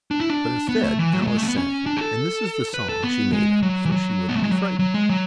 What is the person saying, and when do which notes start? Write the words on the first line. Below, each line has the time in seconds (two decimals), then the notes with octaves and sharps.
But instead Alice sang, and this is the song she made up so she wouldn't be frightened.
0.11 D4
0.20 E4
0.30 D4
0.69 B3
0.83 A3
0.99 E3
1.13 F#3
1.22 A3
1.27 G#3
1.38 A3
1.43 C#4
1.47 B3
1.57 C#4
1.86 D4
1.97 G#4
2.01 A4
2.74 B4
2.89 A4
3.04 B3
3.33 G#3
3.63 F#3
3.86 E3
3.92 F#3
4.29 B3
4.36 A3
4.43 G#3
4.51 F#3
4.79 F#3
4.94 G#3
5.09 F#3